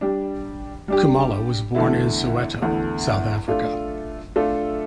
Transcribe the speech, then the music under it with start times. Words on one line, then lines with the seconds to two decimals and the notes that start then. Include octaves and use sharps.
Kumalo was born in Soweto, South Africa.
0.01 G3 D4 G4
0.88 G3 D4 G4
1.75 E2 D3 A3 E4
2.61 E2 D3 A3 E4
3.48 A3 D4 F4 A4
4.36 A3 D4 F4 A4